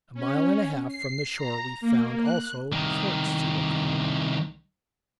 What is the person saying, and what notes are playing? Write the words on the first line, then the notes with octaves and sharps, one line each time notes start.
A mile and a half from the shore we found also Fort Steilacoom.
C#4
C7
A#5
A#3
F#6
C2 D#3